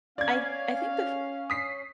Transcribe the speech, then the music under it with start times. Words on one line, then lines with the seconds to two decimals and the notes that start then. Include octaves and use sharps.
I I think the f
0.18 C#4 D5 F5 G#6
1.50 D#6 B6 C7